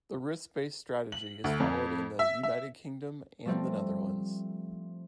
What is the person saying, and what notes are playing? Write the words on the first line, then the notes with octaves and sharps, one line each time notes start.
The risk-based strategy is followed in the United Kingdom, and the Netherlands.
F#7
D2
F2
E5
E5
F3 G3 A3 C4